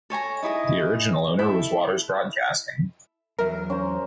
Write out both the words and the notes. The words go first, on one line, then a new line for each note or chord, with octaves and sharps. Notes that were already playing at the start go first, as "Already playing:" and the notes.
The original owner was Waters Broadcasting.
A4 C#5 G#5 A#5
D#4 E4 G#4 D#5
E4 A4 E5
E2 F#3 A#4 E5
C#4 C5 A#5